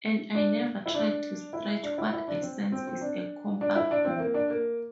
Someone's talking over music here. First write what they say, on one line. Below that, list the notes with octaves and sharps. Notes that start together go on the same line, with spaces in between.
And I never try to stretch what I sense is a compact book.
D4
E4
D4
E4
D4
E4
E4
D4
C4
C4
C4
D4
D4
E4
D4
C4
A#3
D4
A#3